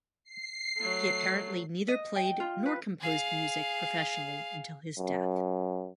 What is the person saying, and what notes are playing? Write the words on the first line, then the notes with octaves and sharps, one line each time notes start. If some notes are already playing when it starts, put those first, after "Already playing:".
He apparently neither played nor composed music professionally until his death.
C7
F#3 A3
D#5
G5
F4
B4
G#4 F5
F#2